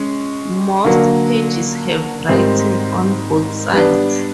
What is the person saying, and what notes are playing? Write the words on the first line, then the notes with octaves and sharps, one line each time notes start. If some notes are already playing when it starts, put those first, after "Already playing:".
Most pages have writing on both sides.
Already playing: G#3 C#4
D3 F#3 A#3
G#2 D#3 G3 C4 D#4
G3 B3 D4